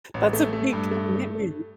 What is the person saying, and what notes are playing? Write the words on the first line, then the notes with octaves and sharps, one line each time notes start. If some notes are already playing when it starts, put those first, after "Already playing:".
That's a big commitment.
A1
A3
A3
G2
A3